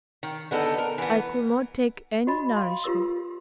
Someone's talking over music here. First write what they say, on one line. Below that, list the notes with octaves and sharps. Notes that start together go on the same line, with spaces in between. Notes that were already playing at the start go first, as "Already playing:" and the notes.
I could not take any nourishment.
D#3
D3 B3 D#4 A4
A#4
E3 B3
F#4 D#5 B5
F5 C6
F4 G4 B4 E6